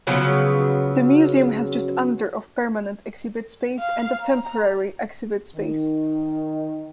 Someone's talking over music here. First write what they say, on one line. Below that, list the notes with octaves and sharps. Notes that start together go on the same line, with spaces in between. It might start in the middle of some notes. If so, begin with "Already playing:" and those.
The museum has just under of permanent exhibit space and of temporary exhibit space.
C#3 F3 F#3 B3
F5
A#5
D#3 D#4